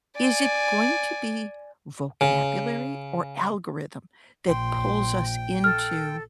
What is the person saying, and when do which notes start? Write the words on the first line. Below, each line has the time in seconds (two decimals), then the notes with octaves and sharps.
Is it going to be vocabulary or algorithm that pulls us into
0.17 D5 G#5
2.21 C#3
4.48 A#1 G5 C6
5.64 A4 F6